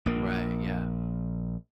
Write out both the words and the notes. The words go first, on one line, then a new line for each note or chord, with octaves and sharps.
Right, yeah.
A#1 A#3